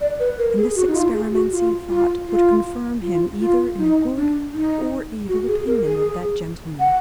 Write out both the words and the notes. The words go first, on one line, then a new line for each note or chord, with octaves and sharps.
And this experiments he thought, would confirm him either in a good or evil opinion of that gentleman.
D5
B4
A#4
G#4
F#4
D#4
F4
G#4
F#4
F4
F4
F4
F4
F4
D#4
D4
D#4
F#4
G#4
A#4
G#4
F#5